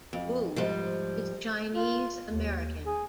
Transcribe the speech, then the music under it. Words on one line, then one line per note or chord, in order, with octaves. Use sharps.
Wu is Chinese American.
F2
G#2 F3 G3
F4
D#2
G#4